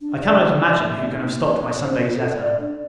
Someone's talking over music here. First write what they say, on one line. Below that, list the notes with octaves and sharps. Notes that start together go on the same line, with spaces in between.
I cannot imagine, who can have stopped my Sunday's letter!
D4
D5
D5
E5
D#4
A#3
C#5
C5
F4
A4
D5
D4